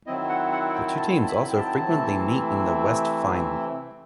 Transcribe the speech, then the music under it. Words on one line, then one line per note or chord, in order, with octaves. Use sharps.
The two teams also frequently meet in the West Final.
D#3 F#3 C4 E4 D#5
F#5
F#5
G5
A5
A5
B5
G5
A5
C3 E3 A3 C4 E4